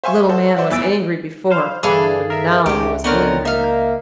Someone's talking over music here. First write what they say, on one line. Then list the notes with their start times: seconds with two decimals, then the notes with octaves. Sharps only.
The little man was angry before, but now he was angrier.
0.04 C5 E5 F5 G#5 C6 C#6
0.29 F#4 A4 C5
0.57 E4 B4 C5 D5 E5 F#5
0.70 F1 E2 E3 E6 A6 D7
1.51 C5 F5 B5
1.83 G2 D3 E3 D4 E4 G#4 A4 F5
2.30 A#4 E5
2.66 C#2 G#2 C#3 A3 G4
3.04 D3 D#3 B3 C4 A#4 C#5 A6
3.45 A#3 D#4 E5 F5